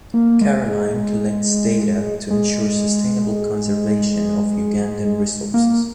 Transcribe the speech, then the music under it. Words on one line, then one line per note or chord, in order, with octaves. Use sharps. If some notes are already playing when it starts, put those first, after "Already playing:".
Caroline collects data to ensure sustainable conservation of Ugandan resources.
A#3
G#3
G#3
G#3
A#3